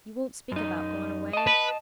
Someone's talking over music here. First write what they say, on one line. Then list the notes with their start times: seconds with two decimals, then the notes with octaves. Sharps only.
You won't speak about goin' away?'
0.52 F#2 D#4
1.33 D#5 A5
1.47 B4